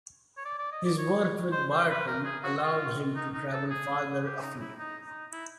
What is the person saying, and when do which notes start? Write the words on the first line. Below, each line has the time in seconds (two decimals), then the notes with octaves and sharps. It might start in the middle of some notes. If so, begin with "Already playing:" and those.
His work with Barton allowed him to travel farther afield.
0.37 C#5
0.45 D5
0.59 D5
0.72 D#5
0.85 D5
0.98 C#5
1.52 C5
1.71 C5
1.90 B4
2.07 A#4
2.25 G#4
2.44 F#4
2.57 F#4
2.62 F4
3.15 D#4
3.33 D#4
3.52 A4
3.70 G#4
4.24 G4
4.42 D#4
4.61 E4
4.78 D#4
5.06 D#4
5.32 E4